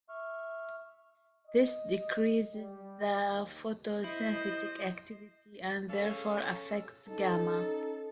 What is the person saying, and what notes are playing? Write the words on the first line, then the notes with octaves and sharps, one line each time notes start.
This decreases the photosynthetic activity and therefore affects gamma.
E5 C#6 F6
D#5
G3
D#2
E4 C5 D#5
C#4 G#4 A4 F5
C#4 D#4 A4